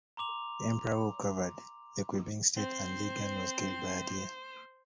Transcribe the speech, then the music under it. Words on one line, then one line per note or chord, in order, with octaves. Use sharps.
Emperor Wu covered for Qubing, stating that Li Gan was "killed by a deer".
A#5 C6 D6 F7
C4 C5